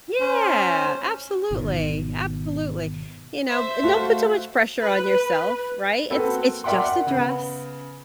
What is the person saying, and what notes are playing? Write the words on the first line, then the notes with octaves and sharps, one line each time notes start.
Yeah, absolutely, absolutely. You know b don't put too much pressure on yourself, right? It's it's just a dress,
C#4 C5
G#1 B2 D#3
C5 E5
A3 F#4 F5
B4
A#3 C4 F#4 A4 B4
A#4 D5 E5 F#5 G5 C6
F#5
C#3 B3